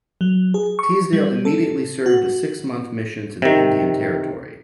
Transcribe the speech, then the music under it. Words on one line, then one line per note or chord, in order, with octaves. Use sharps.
Teasdale immediately served a six-month mission to the Indian Territory.
F#3
G#4
C#6
G3
A4
F#4
C3 D#3